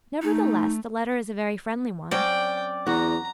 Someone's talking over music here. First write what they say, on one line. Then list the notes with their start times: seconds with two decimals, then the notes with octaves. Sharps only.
Nevertheless the letter is a very friendly one.
0.22 A3 D#4
2.11 F#3 C4 C#4 D5 G5
2.87 E2 F#4 A#5